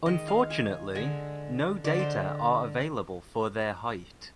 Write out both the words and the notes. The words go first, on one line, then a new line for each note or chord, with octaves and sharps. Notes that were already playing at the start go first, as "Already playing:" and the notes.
Unfortunately, no data are available for their height.
D#3 G#3 D#5
F5
G#5
D3 G#3 G#5
D3 G#3 D5
C5